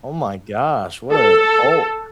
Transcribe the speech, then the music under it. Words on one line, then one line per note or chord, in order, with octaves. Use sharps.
Oh my gosh, what a hulk.
A4